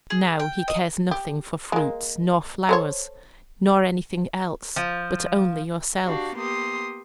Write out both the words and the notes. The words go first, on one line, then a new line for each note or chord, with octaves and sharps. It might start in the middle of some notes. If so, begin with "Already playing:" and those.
But NOW he cares nothing for fruits nor flowers, nor anything else, but only yourself.
G#4
G5
D#5
G4
G#3 A#3
A4 C5 C#5
F3
D4 F#4 G4 F5
A#3 B3 G4 C6 D#6